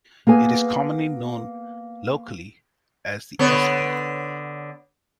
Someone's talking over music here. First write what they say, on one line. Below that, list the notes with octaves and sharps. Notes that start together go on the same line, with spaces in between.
It is commonly known locally as "The Espy".
A#3 B3 G#4 G#5
D3 B3 C#5